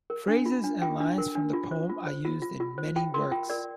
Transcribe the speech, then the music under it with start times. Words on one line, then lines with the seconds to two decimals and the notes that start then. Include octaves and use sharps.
Phrases and lines from the poem are used in many works.
0.10 A#4
0.28 D4
0.46 F4
0.64 D4
0.82 F4 G5
1.00 D4
1.18 A#4
1.35 D4
1.53 F4
1.71 C5
1.89 F4
2.07 C5
2.25 F4
2.42 F4
2.60 F4
2.78 C5
2.96 F4 G5
3.14 A#4 C6
3.31 F4 G5
3.50 A#4 D5